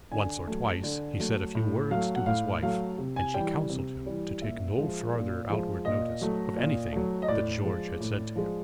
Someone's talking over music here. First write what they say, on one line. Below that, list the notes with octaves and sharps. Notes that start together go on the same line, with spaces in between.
Once or twice he said a few words to his wife, and she counselled him to take no farther outward notice of anything that George had said to him.
D3 G#5
F#3 A3
D3
F#3 A3
A2
F#3 A3 F5
F#5
A2 F5
F#3 A3 F5
C3
G#5
E3 G3 G5
C3
E3 G3
A#2 E5
F3 G#3
A#2
F3 G#3
A#2 D#5
F#3 A3
A#2
F#3 A3
D#5
A2 D5
F3 G#3
A2
F3 G#3